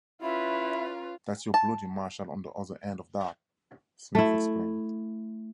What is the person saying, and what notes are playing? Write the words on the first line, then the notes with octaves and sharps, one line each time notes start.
"That's your bloody marshal on the other end of that," Smith explained.
C#4 E4 F4 B4 E5
A5
A3 E4